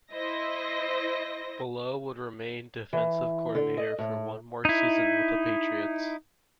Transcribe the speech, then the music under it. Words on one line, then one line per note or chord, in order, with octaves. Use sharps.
Bullough would remain defensive coordinator for one more season with the Patriots.
E4 C5 D#5 A#6
E3
D3
D#5
A2
D#4 E4